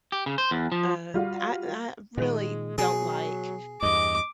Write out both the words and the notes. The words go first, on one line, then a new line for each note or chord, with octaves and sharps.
uh, I n I really don't like
G4
C#3
C5
E2
F3
G3 F4 F#4
A#2 D#3 G#3
B2 F#3 G#4
E2 G2 D#5 D6